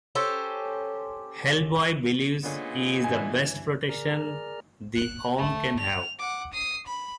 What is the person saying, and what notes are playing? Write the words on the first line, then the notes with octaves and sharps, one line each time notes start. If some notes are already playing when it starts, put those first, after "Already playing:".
Hellboy believes he is the best protection the arm can have.
C#4 G4 A4 C5
A#2 D3 G#3 A#3 B3 C#4
G2 E3 G#5
G#4 A#4 D5 A#5 F6
F#6
A3
F7
F#5 D6
D#6 C7
B5